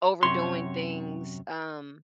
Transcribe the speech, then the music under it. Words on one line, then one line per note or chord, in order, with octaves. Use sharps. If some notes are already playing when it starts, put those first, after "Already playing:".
overdoing things, um,
F#2 C3 C#5 C6